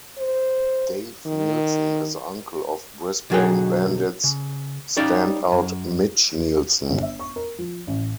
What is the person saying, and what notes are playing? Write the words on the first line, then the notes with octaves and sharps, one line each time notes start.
Dave Nilsson is the uncle of Brisbane Bandits standout Mitch Nilsson.
C5
D#3
B1 D3 F#3 F#4 G#4 G5
C#3
G3 C#4 D#4 G4 D5 F5
F#2
G1
E5
C#6
A#4
F3
A1